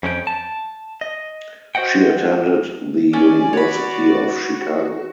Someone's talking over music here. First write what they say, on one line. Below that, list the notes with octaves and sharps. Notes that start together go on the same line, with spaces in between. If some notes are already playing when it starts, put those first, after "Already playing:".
She attended the University of Chicago.
F2 C#4 E4 G5
A5
D#5
F#4 C5 D#5 F#5 G5
C#4 D5 G#5
F#4 C#5 B5